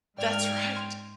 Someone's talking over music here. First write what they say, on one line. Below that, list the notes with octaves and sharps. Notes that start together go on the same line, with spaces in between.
That's right.
G#2 D5 G5 F6 G#6
C6